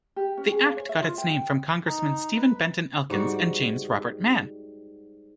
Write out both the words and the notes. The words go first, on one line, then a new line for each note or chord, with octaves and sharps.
The Act got its name from congressmen Stephen Benton Elkins and James Robert Mann.
G4
C#4
G#4
F5
C#5
E5
F4
G5
G5
D#4
B4
G#2 G3 F#4